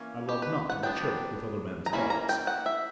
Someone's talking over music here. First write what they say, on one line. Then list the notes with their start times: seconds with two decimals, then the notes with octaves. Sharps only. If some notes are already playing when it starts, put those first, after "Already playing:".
I love not to be choked with other men's thoughts.
Already playing: E3 A#3 C#4
0.29 G4
0.42 B4
0.70 F#5
0.83 F#3 B3 D4 G5
1.86 A#5
1.93 E3 A#3 C#4 B5
2.10 A#5
2.29 G5
2.47 F#5
2.66 E5